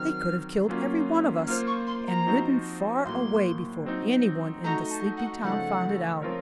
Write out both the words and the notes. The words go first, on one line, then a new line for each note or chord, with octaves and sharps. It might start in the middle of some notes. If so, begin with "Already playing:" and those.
They could have killed every one of us, and ridden far away before anyone in the sleepy town found it out.
Already playing: D#3 F#3 C4 F6
F#3 A#3 C#4 F4
A#3 F4 C5 F6
C#6
C6
A#5
F3 C4 D#4 F#4 C5
A2 F#3 A#3 C6
F#3 C4 D#4
A3 D#4 F#4 A#5
A5
F#5
C#3 F3 A3 D#4 A4 F#5
F3 C4 F4 A#4 C#5